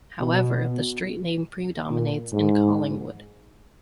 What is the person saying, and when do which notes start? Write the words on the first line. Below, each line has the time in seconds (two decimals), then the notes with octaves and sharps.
However, the street name predominates in Collingwood.
0.21 B2
1.90 A#2
2.32 G#2